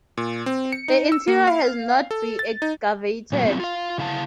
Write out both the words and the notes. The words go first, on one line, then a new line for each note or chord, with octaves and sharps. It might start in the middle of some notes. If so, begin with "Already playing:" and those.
The interior has not be excavated.
A#2
C4
C#7
D#4
E6
A#3
F5
A4
A6
D#4
A#2 F#3 A#3
F#3 B3 C4 E4 F4
F4 F5
C#3 E4 F5 A5